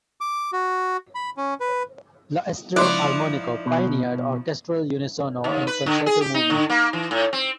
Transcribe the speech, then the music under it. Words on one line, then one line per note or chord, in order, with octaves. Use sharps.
"L'estro armonico" pioneered orchestral unisono in concerto movements.
D6
F#4
B5
C#4
B4
C#2 F3 D#4 E4 D5 C6 F#6
B2
D#2
B4
D3
G#4
G4
D#4
D3
A#3
E3
A2
C4